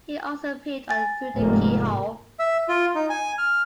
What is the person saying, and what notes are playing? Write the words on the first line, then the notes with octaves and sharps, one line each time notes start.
He also appeared on "Through the Keyhole".
G#5 A6
F1 G#2 A#3
E5
F4
D#4
G#5
F6